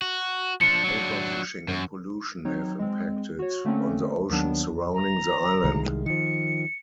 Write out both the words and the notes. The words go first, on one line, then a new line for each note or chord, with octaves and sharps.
Overfishing and pollution have impacted on the ocean surrounding the island.
F#4
F3 D4 C#7
F#3 D4
F#2
F#3 C4 D#4 C#5
G#3 C4
F#4 C#5
D3 A3 A#3 C4 C#4
D#2 D#3 F#3 B3 D4
A#5
C2 D#3 G#3
D#3 F3 C#7